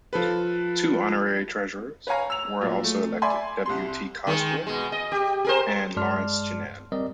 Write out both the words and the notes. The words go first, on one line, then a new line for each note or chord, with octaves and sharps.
Two Honorary Treasurers were also elected, W. T. Cosgrave and Laurence Ginnell.
F3 A4 B4
B4 C#5 F5 G#5 A#5
E6 F7
A#2 F#3
A3
D5 E5 G#5 B5 C6
C2 C3 C6
D#3 G#3
B2 G#3
D#5
G4
G#4 A#4 C5
G2 G#3 D5 A5 C6 F6
G3 C4 A#4 D5 D#5